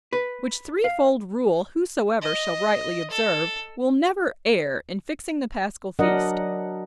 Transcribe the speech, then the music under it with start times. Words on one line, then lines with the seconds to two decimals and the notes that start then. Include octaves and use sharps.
Which threefold rule whosoever shall rightly observe, will never err in fixing the Paschal feast.
0.13 B4
0.84 F5
2.22 D#5
3.10 A4
5.99 F#3 D4 A#4 D#5 F#5